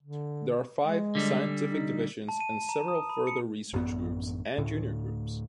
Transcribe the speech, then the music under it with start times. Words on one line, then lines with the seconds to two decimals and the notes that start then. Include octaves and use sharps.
There are five scientific divisions and several further research groups and junior groups.
0.03 D3
0.84 G#3
1.15 D3 G3
1.64 D#4
2.29 A5
2.40 D#7
2.69 A#5
2.88 D#6
3.09 B5
3.27 C#7
3.73 A1 F#2 B3
4.58 D2 A2